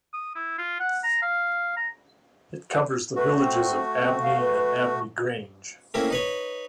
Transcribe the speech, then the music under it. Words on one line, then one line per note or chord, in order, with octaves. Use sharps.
It covers the villages of Abney and Abney Grange.
D#6
E4
F4
F#5
A#5
F5
A#5
A3 F#4 B4
C4
C4
F5
B4
A3 A#3 C4 C#4 E4
D#4 B4 C#5